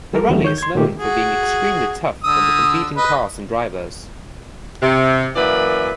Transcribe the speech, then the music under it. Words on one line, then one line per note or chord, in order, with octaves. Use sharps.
The rally is known for being extremely tough on the competing cars and drivers.
G3 A4 A#4
D#2 E3 F#3 G3 A3 C#4
D#3 C#5 G6
C6 G#6
A#2 D#3 A3 G4
F#4 G#4
D3 D#6 E6
B4 D#5
C3
F#2 E3 A#3 B4 D5